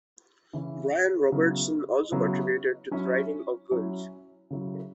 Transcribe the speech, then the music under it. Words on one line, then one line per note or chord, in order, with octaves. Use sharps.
Brian Robertson also contributed to the writing of "Girls".
C#3 E3 C#4 E4
C#3 F#3 B3 E4
C#3 F#3 B3 E4
F#3 C#4 E4
F#3 C#4 E4
C#3 F#3 E4